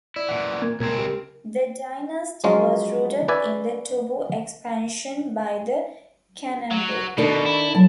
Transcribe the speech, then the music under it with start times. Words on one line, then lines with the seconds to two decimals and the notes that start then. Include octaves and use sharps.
The dynasty was rooted in the Tubu expansion by the Kanembu.
0.16 E4 D5
0.28 A#2 E3 F#5
0.62 A#3 A#4 G#6
0.80 C#2 A#2 A#3 C4 A#4 G#6
0.98 G4
2.44 F3 F#3 G#3 C#4 F4
3.28 C#4 B4 D5 E5 G#5
6.71 F#3
7.18 B2 D#3 D4 A4
7.46 E4
7.75 F#3 A5